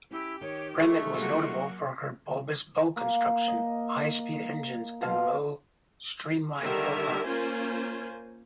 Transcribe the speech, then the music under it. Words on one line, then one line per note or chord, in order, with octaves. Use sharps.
"Bremen" was notable for her bulbous bow construction, high-speed engines, and low, streamlined profile.
C#4 E4 G4
D#3 C#5
D#3 G#3 A3 D#4 C#6
F#3 G3 A#3 C#4 F4 F#4
A#3
D#5
B2 A4 F5 C6
D3 D#3 G3 A#4 E5
A#3 C#4 F4 C5 G#5